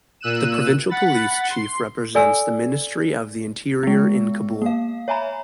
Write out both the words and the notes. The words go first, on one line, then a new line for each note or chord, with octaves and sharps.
The provincial police chief represents the Ministry of the Interior in Kabul.
A#2 E6 F#6 D#7 E7
F#5 B5 A6
C6
A4 D5 G#5 E6
G#3 B3
A#3 F5
C#5 E5 G#5 A#5 B5